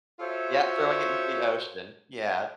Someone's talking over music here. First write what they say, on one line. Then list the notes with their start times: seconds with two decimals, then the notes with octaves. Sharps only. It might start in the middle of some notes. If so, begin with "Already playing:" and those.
yep, throwing it into the ocean. Yeah.
0.20 F4 F#4 A4 C5 C#5 E5